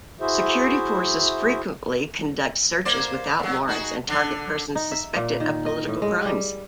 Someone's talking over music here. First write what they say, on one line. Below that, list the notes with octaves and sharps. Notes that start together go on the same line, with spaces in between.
Security forces frequently conduct searches without warrants and target persons suspected of political crimes.
E4 F#4 G#4 C5 E5
A#3 C5 D5
A#2 F#3
D#4 F#4 G#4
D3 D4
D#4
E5
A#2
D#3
D#5
A2
G#3
G3